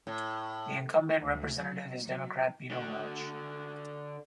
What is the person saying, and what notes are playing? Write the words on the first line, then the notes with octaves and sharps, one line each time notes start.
The incumbent representative is Democrat Peter Welch.
A2
D2
F#3
F#3
D3 F#4